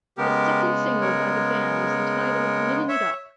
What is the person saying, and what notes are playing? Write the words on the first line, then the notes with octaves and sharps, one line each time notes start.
The second single by the band was entitled "Livin' It Up".
C#3 G#3 B3 G4 A#4
A#4 C#5
C#5 E5